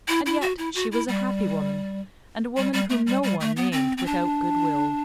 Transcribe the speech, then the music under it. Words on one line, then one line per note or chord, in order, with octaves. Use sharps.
And yet she was a happy woman, and a woman whom no one named without good-will.
E4
E4
F#4
E4
F#4
E4
G3
G3
G3
A3
G3
G3
A3
B3
C4
C4
D4